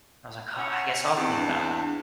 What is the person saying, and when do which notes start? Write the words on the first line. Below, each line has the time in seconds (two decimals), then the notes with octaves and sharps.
I was like, "Oh, I guess I'll clean it up."
0.58 C#4 F#5
1.17 E2 C4
1.37 D4